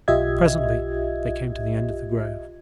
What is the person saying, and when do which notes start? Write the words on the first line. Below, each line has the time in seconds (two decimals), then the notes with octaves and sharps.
Presently they came to the end of the grove.
0.08 B1 F4 G4 D#5 E5 G#6